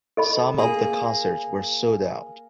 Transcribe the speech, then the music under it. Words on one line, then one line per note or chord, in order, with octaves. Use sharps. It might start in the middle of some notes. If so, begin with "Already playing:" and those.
Some of the concerts were sold out.
A4 D#5 B5
A#3 G#4